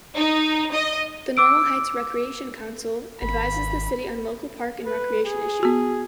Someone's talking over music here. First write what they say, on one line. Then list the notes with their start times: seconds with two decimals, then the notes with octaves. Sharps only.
The Normal Heights Recreation Council advises the city on local park and recreation issue.
0.15 D#4
0.73 D#5
1.37 D6 E6 D7
3.22 G#1 B5
4.86 B4
5.26 G#4
5.63 B3 F#4